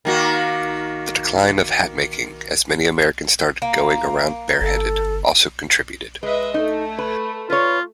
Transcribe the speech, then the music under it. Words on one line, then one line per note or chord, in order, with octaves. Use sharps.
The decline of hatmaking, as many Americans started going around bareheaded, also contributed.
D#3 A#3 F#4
A#3
G1 A4
G#3 B4 D#5 E5
A3 D#4
B4
F4 B4 C#5